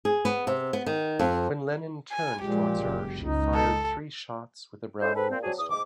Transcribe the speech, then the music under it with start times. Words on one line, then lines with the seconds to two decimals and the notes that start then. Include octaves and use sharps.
When Lenin turned towards her, she fired three shots with a Browning pistol.
0.05 G#4
0.25 B3
0.47 C3
0.73 B3
0.86 D#3
1.19 F2
2.12 G#5
2.42 A#2 F3 G#3 G4
2.83 F#1
3.21 C#2 D#4
3.54 A4
5.01 C#4 D#4 E4 A4 C5
5.16 C4 A4 B4
5.30 A#2 C4
5.43 F#3 C4 D4 F#4 G#4
5.58 E2 D#6
5.71 G#2 D6